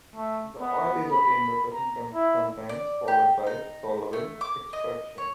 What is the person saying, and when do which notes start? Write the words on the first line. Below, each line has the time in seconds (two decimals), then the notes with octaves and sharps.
The oil is obtained by pressing, sometimes followed by solvent extraction.
0.16 A3
0.61 B3
1.11 B5
1.73 A#5
2.14 E4
2.69 D5
3.08 G4
3.47 D#4
4.13 A3
4.41 D6
4.73 D#5
5.18 C#5